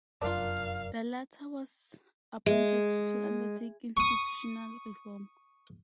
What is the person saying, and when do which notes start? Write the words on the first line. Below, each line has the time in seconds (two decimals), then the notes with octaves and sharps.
The latter was appointed to undertake institutional reform.
0.22 F1 F#2 D4 F4 A#4 D5 F5
2.46 G#3
3.97 C#6 D#6